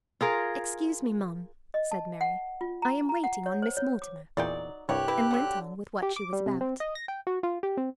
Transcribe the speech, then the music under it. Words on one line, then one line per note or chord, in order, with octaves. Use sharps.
"Excuse me, ma'am," said Mary, "I am waiting on Miss Mortimer," and went on with what she was about.
F4 G#4 A#4
D#5
A5
F#5
F4
A#5
A#5
F#5
C#5
C5
C#5
D6
E2 A#2 F#3 D#4 D5 G5
C2 G2 G4 C#5 F#6
C4 E4 B4
D3 F#3
G4
D6
G3
C3
C4
D#5
A#6
G5
F#4
F4
G4
C4